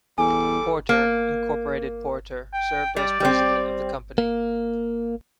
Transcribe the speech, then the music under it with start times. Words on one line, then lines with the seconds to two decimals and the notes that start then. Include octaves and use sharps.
Porter, Incorporated Porter served as president of the company.
0.18 E2 G3 A4 G#5 D6
0.89 A#3
2.53 G5
2.96 G3 D5
3.20 G3 C4
4.18 A#3